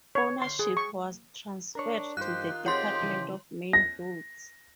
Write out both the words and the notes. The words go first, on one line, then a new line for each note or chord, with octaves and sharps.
Ownership was transferred to the Department of Main Roads.
C#5
C6
G#4
C#6
D4 A#4 C#5
G2 D#3 D#4 F4 G4 C5 F#6
C4 G4 G#4 C#5 F#5 C6
C#3 E3 F3
A#6